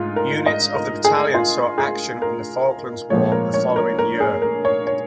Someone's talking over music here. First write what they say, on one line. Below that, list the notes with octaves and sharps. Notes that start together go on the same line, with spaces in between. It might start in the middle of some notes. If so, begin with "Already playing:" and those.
Units of the battalion saw action in the Falklands War the following year.
Already playing: G#2 G#3 D#4 F4
A#4
D#5
A#4
G#4
F4
G#4
A#4
A#2 F3 G#3 C#5
A#4
C#5
A#4
A#4
G#4
A#4
C#5
C#5